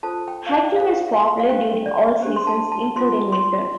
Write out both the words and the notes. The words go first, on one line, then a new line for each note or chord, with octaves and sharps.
Hiking is popular during all seasons, including winter.
F4 A4 C5 A5
G5
F5
D5
G5
F4 A4 C5 F5
F5
G5
F5
D4 G4 C5 G5
D5
D4 G4 C5
C6
A5
A5
F4 C5 C6
C6